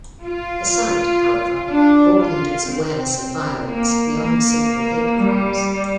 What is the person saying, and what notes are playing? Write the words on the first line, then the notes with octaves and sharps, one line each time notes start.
The site, however, broadened its awareness of violence beyond simple hate crimes.
F4
D4
F4
C4
A#3
A#3
G3